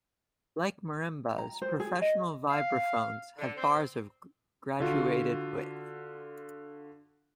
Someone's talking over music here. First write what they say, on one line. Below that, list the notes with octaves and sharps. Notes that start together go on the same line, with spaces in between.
Like marimbas, professional vibraphones have bars of graduated width.
A#5
C5
G#4
D#5
F5
D3
C4
D3 F4 F#4